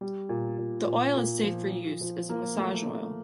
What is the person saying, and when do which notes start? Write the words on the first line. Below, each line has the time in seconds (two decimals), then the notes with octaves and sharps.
The oil is safe for use as a massage oil.
0.01 G3
0.29 A#2
0.58 A#2
0.87 A#2
1.16 A#2
1.44 F3
1.72 F3
2.01 F3
2.29 A#3
2.58 A3
2.86 A3